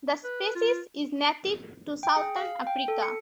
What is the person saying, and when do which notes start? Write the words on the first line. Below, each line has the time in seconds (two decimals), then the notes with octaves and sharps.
The species is native to southern Africa.
0.24 B4
0.55 F4
2.03 G5
2.16 G#4
2.36 F5
2.67 G5
2.88 A4
3.02 C#7